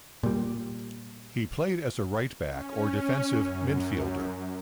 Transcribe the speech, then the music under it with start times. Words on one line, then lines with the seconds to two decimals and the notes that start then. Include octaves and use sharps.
He played as a right-back or defensive midfielder.
0.23 A#2 G3
2.47 C#4
3.29 F#2